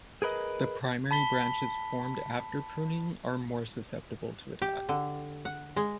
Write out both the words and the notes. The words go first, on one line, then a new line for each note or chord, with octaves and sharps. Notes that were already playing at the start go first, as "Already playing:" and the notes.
The primary branches formed after pruning are more susceptible to attack.
G#4 A#4 B4 D#5
A5 B5 B6 G7
G4
D3
F#5
G#3